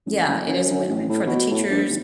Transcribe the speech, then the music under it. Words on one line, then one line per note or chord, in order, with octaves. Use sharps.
Yeah, it is win-win, for the teachers,
A1
F#1
F#2
F#2
A1
A2
B2
A2
A#1
G#1